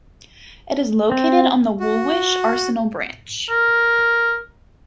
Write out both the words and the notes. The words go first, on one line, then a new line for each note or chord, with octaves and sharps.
It is located on the Woolwich Arsenal branch.
C4
F#4
A#4